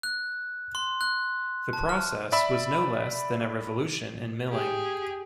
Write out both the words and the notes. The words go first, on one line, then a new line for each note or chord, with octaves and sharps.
The process was no less than a revolution in milling.
F#6
C6
F#6
A5
F6
D5 E5 B5 E6
G4 G#4